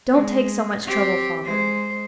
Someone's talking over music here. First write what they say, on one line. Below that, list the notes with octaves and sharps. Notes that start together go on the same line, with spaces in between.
Don't take so much trouble, father.
G#3
C4 G4
G#3 C5